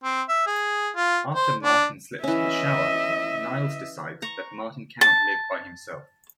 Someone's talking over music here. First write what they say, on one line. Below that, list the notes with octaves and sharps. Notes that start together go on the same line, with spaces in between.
After Martin slips in the shower, Niles decides that Martin cannot live by himself.
C4
E5
G#4
F4
C5
D4
E3 C#4 D#5 E5
A#5 C#6
A5